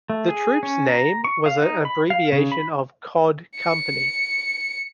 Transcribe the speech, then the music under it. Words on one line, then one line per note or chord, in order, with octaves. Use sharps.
The troupe's name was an abbreviation of "Cod Company".
A3
G#4
C#4
A#5
C#6
F5
D#4
B5
F5
C#3
B5
C#7